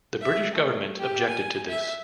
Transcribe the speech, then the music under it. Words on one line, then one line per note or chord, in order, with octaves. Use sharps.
The British Government objected to this.
E5
A3
G4
G#5
E5